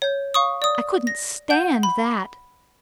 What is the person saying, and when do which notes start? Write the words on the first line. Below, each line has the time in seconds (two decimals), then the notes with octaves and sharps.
I couldn't stand that.
0.02 C#5 G6
0.34 F5 C#6 D#6
0.62 D5 D#6
1.07 A#6
1.50 F#5 G6
1.83 B5